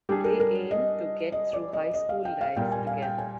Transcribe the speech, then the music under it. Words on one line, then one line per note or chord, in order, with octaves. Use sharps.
They aim to get through high school life together.
G3 D4 G4 G#4
A#4
A#4
D#5
D#5
D5
D#5
D#5
F5
G5
F5
A#2 G3 A#3 G5
G#5
F5
G5
G#5